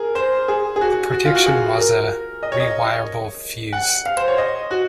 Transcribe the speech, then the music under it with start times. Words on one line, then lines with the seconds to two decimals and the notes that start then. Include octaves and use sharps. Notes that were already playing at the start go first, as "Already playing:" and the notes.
The protection was a re-wirable fuse.
Already playing: G#4 A#4
0.15 C5
0.48 G#4
0.76 G#4
0.81 F#4
1.12 F#4
1.25 F4
1.35 F#4
1.46 G#4
1.78 A#4
2.43 D#5
2.52 C#5
2.60 D#5
3.73 F#5
4.06 F5
4.17 C5
4.28 C#5
4.38 D#5
4.71 F#4